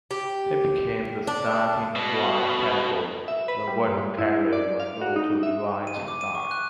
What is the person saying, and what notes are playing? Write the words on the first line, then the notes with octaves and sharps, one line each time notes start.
He became the starting right tackle when Vernon Carey was moved to right guard.
G4
D4
B2
E5
B4
G3
G2
E4
D5
F5
F#4
D#4
E5
D#7
D6
D#7
C#6
F#6